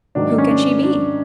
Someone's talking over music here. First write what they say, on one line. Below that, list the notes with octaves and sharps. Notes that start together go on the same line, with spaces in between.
Who can she be?
G#2 D#3 F#3 D4
C#4
D4
D4